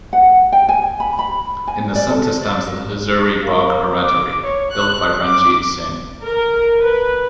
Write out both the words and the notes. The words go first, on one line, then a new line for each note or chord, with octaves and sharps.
In the center stands the Hazuri Bagh Baradari, built by Ranjit Singh.
F#5
G5
G#5
B5
B5
G#5
D5
A4
D5
A#4
A#3
D6
C#5
F#6
D6
A#4
B4